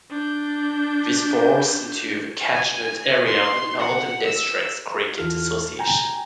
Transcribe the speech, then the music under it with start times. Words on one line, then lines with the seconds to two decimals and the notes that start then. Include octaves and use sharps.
This falls into the catchment area of the Northern Districts Cricket Association.
0.10 D4 G6
2.54 G#5
2.84 G#5
3.26 C6
3.79 F#5
4.26 E6
5.18 E2 E3 F4 A4 F6
5.79 G5 G#5 A#5 G6